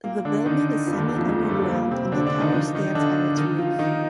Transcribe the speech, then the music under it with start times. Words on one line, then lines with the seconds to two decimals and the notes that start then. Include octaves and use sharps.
The building is semi-underground and the tower stands on its roof.
0.04 A#2 A#3
0.25 D3 D4
0.46 D#3 D#4
0.87 F2 F3
0.93 D3
0.97 D#2 D#3
1.08 D3
1.18 F2 F3
1.29 F2 F3
1.43 A3
1.49 G2 G3
1.64 C4
1.70 A#2 A#3
1.91 C3 C4
2.12 D3 D4
2.27 D3 D4
2.40 D#3 D#4
2.54 F3 F4
2.75 D#3 D#4
2.95 D3 D4
3.37 D#3 D#4
3.58 F3 F4
3.79 D#3 D#4